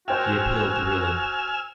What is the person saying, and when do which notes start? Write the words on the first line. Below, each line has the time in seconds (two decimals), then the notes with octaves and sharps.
He appealed the ruling.
0.08 F#4 C5 G5 G#5 E6 F6